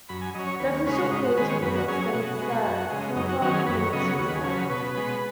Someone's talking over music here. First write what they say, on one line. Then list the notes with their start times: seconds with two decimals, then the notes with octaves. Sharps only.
The official police report states that Kirpa committed suicide.
0.09 F#2 B5
0.21 G#5
0.34 F#3 C#4 D#5
0.47 C#5
0.60 D#2 B4
0.73 C#5
0.86 C#3 G#3 C#4 B4
0.93 D#4
0.98 F#4
1.11 G#2 D#4
1.24 F#4
1.37 G#3 B4
1.41 D#3
1.50 C#5
1.62 F#2 B4
1.76 F#4
1.88 F#3 C#4 G#4
2.01 G#4
2.13 B2 F#4
2.39 G#3 B3
2.65 F#2
2.90 C#3 G#3
3.15 F#2 D#4
3.29 F#4
3.42 D#3 F#3 C#4 F#4
3.54 G#4
3.67 F#2 B4
3.80 C#5
3.93 C#3 F#3 B3 D#5
4.05 C#5
4.18 D#2 F#4
4.28 B4
4.35 G#4
4.44 C#3 F#3 C#4
4.53 B4
4.69 B2 B4
4.95 G#3 B3